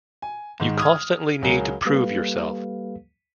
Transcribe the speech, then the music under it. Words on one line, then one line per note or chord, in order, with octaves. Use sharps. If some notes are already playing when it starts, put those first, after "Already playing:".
You constantly need to prove yourself.
G#5
G#2 D#3
D#6 F6 G#6
C#2 F#3 G#4 A#4 G7
G3 A#3 G4 A4 B4 F5